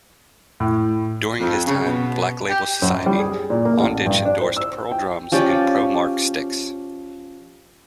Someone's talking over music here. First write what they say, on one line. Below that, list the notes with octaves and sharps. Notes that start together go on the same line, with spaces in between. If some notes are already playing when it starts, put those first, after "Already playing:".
During his time in Black Label Society, Ondich endorsed Pearl Drums and Pro-Mark Sticks.
A2
F2
C#3
B2
G4
F#2
G3
G#4
A#2
A#3
A1
G2
D4
C5
E6
G5
F3 C#4 G4 D5